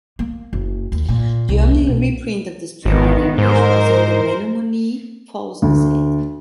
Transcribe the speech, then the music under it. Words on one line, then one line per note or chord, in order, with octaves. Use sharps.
The only reprint of the strip in English was in "The Menomonee Falls Gazette".
A#3
F#1
D#2
A#2
C2
E2
B1
G#1 C#2 D#3 B3
G#2 A#4 C5
D2